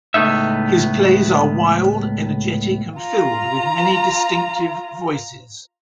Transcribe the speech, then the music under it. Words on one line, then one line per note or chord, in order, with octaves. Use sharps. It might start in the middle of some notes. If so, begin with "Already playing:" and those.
His plays are wild, energetic, and filled with many distinctive voices.
C#2 A2 A3 B3 D#4 E5
F4 A#5